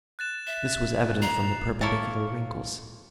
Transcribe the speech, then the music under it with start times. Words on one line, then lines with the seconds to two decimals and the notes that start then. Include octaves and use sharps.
This was evident from the perpendicular wrinkles.
0.19 F#6 A6 E7
0.47 E5 E7
1.22 A#5 C7 F7
1.81 A#3 E4 C#5 A5